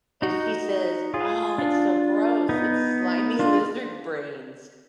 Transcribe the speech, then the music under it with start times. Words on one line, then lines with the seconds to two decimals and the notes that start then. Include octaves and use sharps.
And she says, "Oh, it's so gross. It's slimy lizard brains."
0.22 D#4 F#4
1.14 F4 G#4
1.58 D4 F4
2.49 B3 D#4
3.39 D4 F4